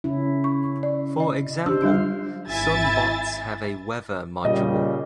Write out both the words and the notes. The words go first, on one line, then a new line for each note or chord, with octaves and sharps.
For example, some bots have a 'weather' module.
C#3 C#4 E4
C#6
D5
D#5
D4 G4 C5 E6
D3 F#3 G3 D4 F4 F5
G#1 E4 E5 G#5 A6
A#2 C#3 G3 D#5